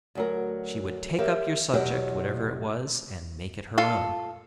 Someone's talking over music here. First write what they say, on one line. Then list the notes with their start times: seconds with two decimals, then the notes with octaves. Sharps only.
She would take up your subject, whatever it was, and make it her own.
0.15 D2 F#3 A#4
1.18 G4 A#4 C#5 E5 F5
1.74 E2 B2 F#3 G4 C#5 F#5
3.78 F4 A4 F5